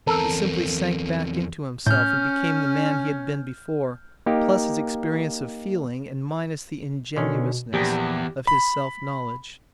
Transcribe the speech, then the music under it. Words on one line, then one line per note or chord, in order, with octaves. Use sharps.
He simply sank back into himself, and became the man he had been before, plus his experience of feeling, and minus the ingenuousness of his self-knowledge.
E2 C4 A4 A#4
A2 C#4 F6 G6
A#3 D#4 G4 A#4
B2 D3 D#3 C#4
A#1 E2 G4 G5
B5